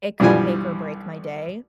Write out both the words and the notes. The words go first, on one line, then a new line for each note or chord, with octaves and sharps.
it could make or break my day.
B1 G2 E3 F3 G3 G#5